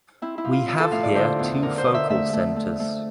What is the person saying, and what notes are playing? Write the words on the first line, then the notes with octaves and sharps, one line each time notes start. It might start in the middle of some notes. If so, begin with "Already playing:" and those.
We have here two focal centers.
C4 E4
E4
F3
F4
F3
A4
A2 F5
D5
D3 C5
E2
D3 A#4
C5
D3
E5
A3 E5
A3
A3
A3